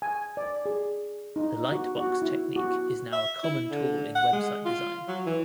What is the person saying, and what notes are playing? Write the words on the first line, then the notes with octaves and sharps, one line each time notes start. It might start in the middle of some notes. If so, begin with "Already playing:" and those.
The Lightbox technique is now a common tool in website design.
G#5
D5
G#4
D#4
F#4
F#4
E4
F#4
E5
E4
D3
F#5
G#3
F4
F#3
E3